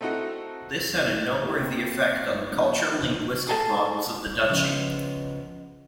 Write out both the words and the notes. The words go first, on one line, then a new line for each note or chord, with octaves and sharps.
This had a noteworthy effect on the cultural linguistic models of the Duchy.
A3 C4 D#4 E4 F#4
A#3 E4 G4 A#4
A#3 C4 C5 G5
G2 F#3 A3 F4 C#5 D#5
F3 A#3 C#4 D#4
E3 F3 D4 D#4
G#4 A4 A5
C#3 F3 G#3 B3